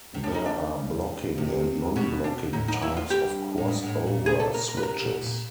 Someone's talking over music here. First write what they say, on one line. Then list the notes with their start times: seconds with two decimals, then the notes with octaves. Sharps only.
There are blocking and non-blocking types of cross-over switches.
0.14 C3
0.24 C#3 D4
0.35 D#4
0.46 D4
1.38 C3
1.96 B2 C#4
2.24 D4
2.53 A2 D#4
2.68 D#4
2.72 F#2
2.82 E4
2.92 F2 F4
3.10 G2 G4
3.58 A2
3.68 G#2
3.83 G#2
3.87 A2
4.07 A#2
4.26 G#4
4.40 A4
4.54 A#4
4.69 A#4
4.77 B4
4.83 C3 A#4
5.03 B2
5.21 A#2